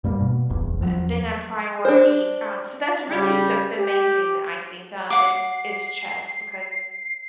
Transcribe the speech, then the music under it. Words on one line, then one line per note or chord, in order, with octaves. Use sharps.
eh, been a priority, um, so, that's really the the main thing that I think of is is chess, because
G2 G3 A#3
B2
D1 G1 E2
E2 F3 F#3
D4 C5
C#3 G3
G4
F#5 D6 C7